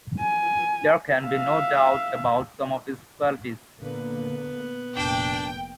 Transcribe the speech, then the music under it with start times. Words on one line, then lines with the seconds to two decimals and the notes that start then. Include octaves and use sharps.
There can be no doubt about some of his qualities.
0.20 G#5
1.22 E5 F5
3.79 A#2 D3 A#3 B3 B4
4.97 F1 A#2 A#3 D4 G5